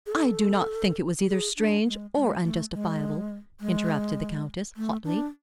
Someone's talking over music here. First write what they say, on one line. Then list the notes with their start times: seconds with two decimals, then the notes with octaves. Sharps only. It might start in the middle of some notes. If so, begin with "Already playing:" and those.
"I do not think it was either strange or unjustifiable," interrupted the Countess, hotly.
0.06 G#4
0.12 A4
1.28 G#4
1.57 D4
1.86 G#3
2.15 G#3
2.44 A3
2.73 G#3
3.61 G#3
4.77 A3
5.05 D4